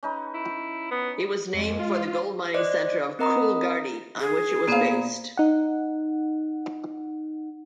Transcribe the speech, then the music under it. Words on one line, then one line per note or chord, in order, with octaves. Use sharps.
It was named for the gold-mining centre of Coolgardie, on which it was based.
C#4 D#4 B4
E4
B3
F2 G#3
F4
C5 D5 D#5 F#6
C4 A#4 D#5 A#5 B5 D#6
G#4
A#2 A#3 B3 C5 F5
D#4 F#5